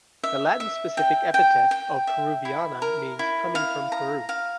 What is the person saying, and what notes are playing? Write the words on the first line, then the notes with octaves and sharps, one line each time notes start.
The Latin specific epithet of "peruviana" means "coming from Peru".
E5
E5
G5
G5
G5
E5
E4
A#4
E4
F5
A#5
F5